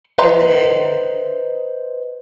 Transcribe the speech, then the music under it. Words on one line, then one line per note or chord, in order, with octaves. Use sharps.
And then
B4 C5 D#5 E5 A#5 C6